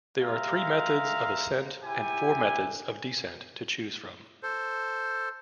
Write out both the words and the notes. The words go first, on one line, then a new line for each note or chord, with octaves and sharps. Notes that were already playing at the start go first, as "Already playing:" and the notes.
There are three methods of ascent and four methods of descent to choose from.
G#3 E5 F5 A#5
E4 G4 G#5
A4 C5